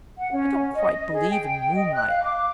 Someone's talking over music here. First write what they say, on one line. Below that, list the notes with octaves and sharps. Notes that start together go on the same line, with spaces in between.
I don't quite believe in moonlight.
F#5
C#4
D#5
D#5
G#4
G5
D#5
F#6
F5
D6